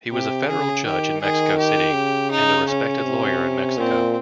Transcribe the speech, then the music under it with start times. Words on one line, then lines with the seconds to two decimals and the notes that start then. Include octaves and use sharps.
He was a federal judge in Mexico City, and a respected lawyer in Mexico.
0.11 C3 G4
0.48 C#3 G#4
0.85 D#3 G4
1.21 D#3 G#4
1.57 G4
1.94 C#3
2.31 D#4
2.68 C#4
3.05 C3
3.77 A#2 C4